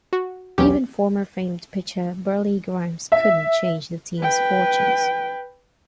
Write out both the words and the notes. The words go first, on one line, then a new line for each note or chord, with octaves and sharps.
Even former famed pitcher Burleigh Grimes couldn't change the team's fortunes.
F#4
B1 E2 C#4 G4
E5
B4 G5